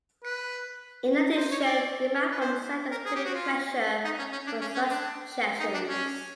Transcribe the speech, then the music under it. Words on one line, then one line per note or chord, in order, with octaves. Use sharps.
In addition, demand from settlers created pressure for such cessions.
B4
C5
C#5
D5
B4
C5
A#4
G#4
G4
F#4
F4
D#4
C#4
C#4
D4
C#4
C#4
D4
D#4
D4
C#4